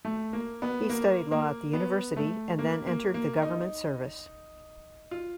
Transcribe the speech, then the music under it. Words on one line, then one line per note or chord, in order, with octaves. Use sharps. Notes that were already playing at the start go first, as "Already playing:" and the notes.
He studied law at the university, and then entered the government service.
A3
A#3
B3
A#3
A#3
B3
A3
A#3
A#3
A#3
D#4
F4